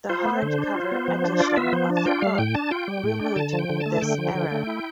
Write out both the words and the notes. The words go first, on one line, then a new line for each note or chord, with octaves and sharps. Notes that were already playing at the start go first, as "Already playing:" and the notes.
The hardcover edition of the book removed this error.
F4 C5
A3
D3
D4
F4
B3
F3
D4
F4 D5
B3 E5
F3 C5
D4
A5
F4 G5
G3 F5
A2 G5
D4 A5
F4 G5
G3
A2
D4
D3 A5
F3
G5
D3
A5
A3
D3 G5
F3
D3
A3
E4